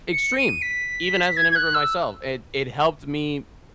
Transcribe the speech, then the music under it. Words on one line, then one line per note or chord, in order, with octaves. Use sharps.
extreme, even as an immigrant myself, it it helped me
C#7
D#7
B6
G#6
G#6
F#6
E6